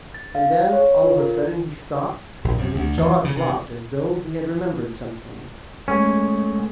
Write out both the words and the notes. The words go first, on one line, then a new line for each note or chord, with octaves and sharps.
And then, all of a sudden, he stopped, and his jaw dropped as though he had remembered something.
A6
F5
C#5
F4
A#4
A#1
F#2
D2
E2
F3
C#3
C3
G#3 A3 C#4